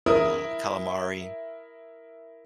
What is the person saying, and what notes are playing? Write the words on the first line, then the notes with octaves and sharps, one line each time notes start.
uh, calamari.
E4 A#4 D#6